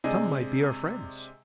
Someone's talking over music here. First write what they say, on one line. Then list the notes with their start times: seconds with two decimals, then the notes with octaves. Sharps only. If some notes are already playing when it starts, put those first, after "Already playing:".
Some might be our friends.
0.04 C3 G#3 D4 D#5 G#5